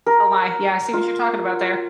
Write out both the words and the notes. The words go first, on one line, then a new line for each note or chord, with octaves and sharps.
Oh my, yeah, I see what you're talking about there.
A#4
F4